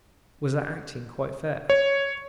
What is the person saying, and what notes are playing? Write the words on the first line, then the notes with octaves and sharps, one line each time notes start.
"Was that acting quite fair?"
C#5